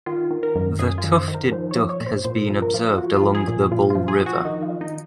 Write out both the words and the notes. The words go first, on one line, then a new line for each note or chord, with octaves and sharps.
The Tufted duck has been observed along the Bull River.
D#3 F4
D#3
A#4
F#2
F#2 G#4
F4
D#3
C5
D#3
A#4
F3 C5
C#5
F3
C#5
A#2
C5
A#2 C5
F3
A#4
F3
F3 F#4
F4
F3
G#4
A#2
A#2 F4
F4
F3
G#4
F3
F#4
D#3 D#4
F4
D#3
D#4